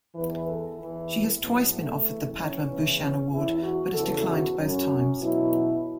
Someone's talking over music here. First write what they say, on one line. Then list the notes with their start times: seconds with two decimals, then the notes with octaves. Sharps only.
She has twice been offered the Padma Bhushan award, but has declined both times.
0.15 E2 E3 B4
0.47 A4
0.78 E2 E3 E4
1.41 A2 F#3 B3
1.74 A3
2.06 E2 E3
2.36 C#4
2.68 E2 C#3 E3
3.00 C#4
3.31 E2 E3 E4
3.63 F#4
3.95 E2 C#3 E3 A4
4.26 F#4
4.58 F#2 F#3 C#4
5.21 E2 B2 F#3 E4